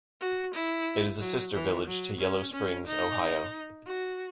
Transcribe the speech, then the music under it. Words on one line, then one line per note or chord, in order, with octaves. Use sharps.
It is a sister village to Yellow Springs, Ohio.
F#4
E4
F#3
E3
F#3
C#4
C#4
D#4
F#4